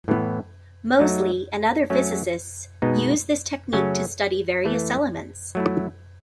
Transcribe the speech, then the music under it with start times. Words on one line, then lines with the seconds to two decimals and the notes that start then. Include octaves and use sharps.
Moseley and other physicists used this technique to study various elements.
0.08 A2 E3 B3
0.99 F#3 A3 D#4
1.90 F#3 A3 C#4 F#4
2.82 B2 G#3 B3 D#4
3.73 C#3 F#3 A3 C#4
4.64 E3 A3 E4
5.55 F#3 A3 E4